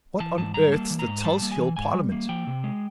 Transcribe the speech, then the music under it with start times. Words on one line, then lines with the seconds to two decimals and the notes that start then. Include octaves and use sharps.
'What on earth's the Tulse Hill Parliament?'
0.20 E3 A5
0.38 G#2 A5
0.54 G3 A#5
0.72 A#3 A5
0.90 E3
0.99 A#5
1.07 G#2
1.24 G3 A5
1.42 A#3
1.51 G#5
1.60 E3
1.77 G#2 G#5
1.94 G3
2.12 A#3
2.29 F3 G5
2.47 C3
2.64 G#3